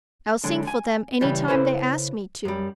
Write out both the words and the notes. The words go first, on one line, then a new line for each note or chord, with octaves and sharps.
I'll sing for them any time they ask me to.
D3 F#3 G#3
G#5
C#3 E3 G3
C#3 E4 A4 B4 C5
F#2 G3